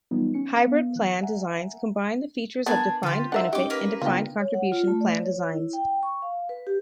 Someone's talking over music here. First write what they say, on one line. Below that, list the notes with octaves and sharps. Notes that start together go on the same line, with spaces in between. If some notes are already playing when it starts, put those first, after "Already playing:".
Hybrid plan designs combine the features of defined benefit and defined contribution plan designs.
E3 F#3 G3 B3 D#4 F4
C#4 C#7
B3 F5
E3 F#6
E5 F#5 G#5 A#5
B3 D4 A#4 B4 G#5
D3 F4 G4
D4 A#4 E5 F#5
C#4 D#4 G4 G5 D6
A#3 A#4 B4
C#3 B3 D4 F4 G4
C#5
F#5
F4
A3
D5
C#5
E4
G5
C#6
F5
B4
G4